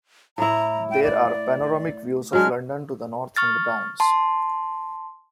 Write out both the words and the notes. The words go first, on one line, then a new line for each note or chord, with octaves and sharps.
There are panoramic views of London to the north from the Downs.
A2 E4 A#5
G5
D5
F#3 G#3 D4 F6
C#6 F6 A6
A5 C6